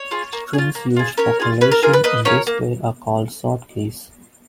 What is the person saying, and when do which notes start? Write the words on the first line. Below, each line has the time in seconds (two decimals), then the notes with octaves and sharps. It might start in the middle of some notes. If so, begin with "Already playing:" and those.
Strings used for collation in this way are called "sort keys".
Already playing: C#5
0.11 F4 G#4
0.33 A#3
0.53 G#4
0.58 F4
0.75 A#3
0.96 F4 G#4
1.17 C#4 A#4 C#5
1.40 F4 G#4
1.61 C#4 B4
1.72 A#4
1.83 F4 G#4 A#4
1.93 B4
2.04 A#3 B4 D#5
2.25 C#4 F4 G#4 A#4 C#5
2.47 A#3